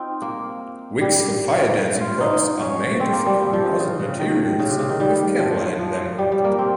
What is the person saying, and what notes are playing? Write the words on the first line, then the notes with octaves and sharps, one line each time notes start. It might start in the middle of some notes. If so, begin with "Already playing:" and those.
Wicks for fire dancing props are made of composite materials with Kevlar in them.
Already playing: C4 D#4 F4
A#3
G3
F4
D#4
C#4
C4
A#3
G3
G3
F3
C#3
C#3
C#3
D#3
C#3
C3
C#3
D#3
G3
F3
F3
G3
G3
A#3
C4